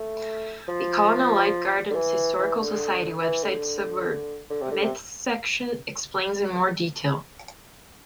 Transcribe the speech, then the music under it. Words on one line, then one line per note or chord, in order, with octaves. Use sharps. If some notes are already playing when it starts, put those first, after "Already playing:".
The Colonel Light Gardens Historical Society website suburb myths section explains in more detail.
Already playing: A3
F3
D3
E3
E3
D3
E3
D3
D3
C3
D3
C3